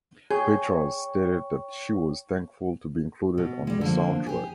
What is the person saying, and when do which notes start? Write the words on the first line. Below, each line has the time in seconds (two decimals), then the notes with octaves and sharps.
Petras stated that she was thankful to be included on the soundtrack.
0.31 G#4 C#5 G5 C#6
3.38 B2
3.67 G3 G#3
3.81 D3 F3 A#3
4.26 G4 G#4